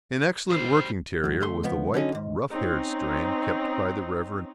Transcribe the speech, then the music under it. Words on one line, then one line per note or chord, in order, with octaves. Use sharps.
An excellent working terrier was the white, rough-haired strain kept by the Rev.
D2 G3 C5
E2 G2
D2 A3 C6
C#2 F3 B3
D3 F#3 C#4 D#4
D#2 G#2
C4 C#4 D#4